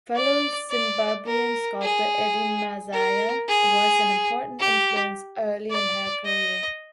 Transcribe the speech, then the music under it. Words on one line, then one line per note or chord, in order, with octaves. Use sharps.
Fellow Zimbabwean sculptor Eddie Masaya was an important influence early in her career.
D5
D5
A#4
G#4
A#4
G#4
G4
D5
D#5